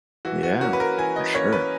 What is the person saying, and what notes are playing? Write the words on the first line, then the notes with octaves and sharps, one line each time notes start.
Yeah. For sure.
E3 F#4
F#4
A#3 C#4 F#4
B4
A#4
E3 G#5
D#5
A#3 C#4 C#5
B4